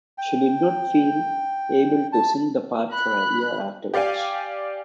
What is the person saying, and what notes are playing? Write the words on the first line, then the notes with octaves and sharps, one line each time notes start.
She did not feel able to sing the part for a year afterwards.
G5
A5
B5 F#6
G4 D5 F5 G5 G#5